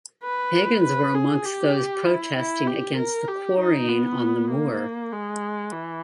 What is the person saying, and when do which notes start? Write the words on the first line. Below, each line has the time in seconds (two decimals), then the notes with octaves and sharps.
Pagans were amongst those protesting against the quarrying on the moor.
0.23 B4
0.84 B4
1.15 G#4
1.45 G4
2.06 E4
2.37 E4
2.67 G4
2.97 A#4
3.28 G4
3.59 D#4
3.90 B3
4.50 A#3
5.12 G#3
5.72 E3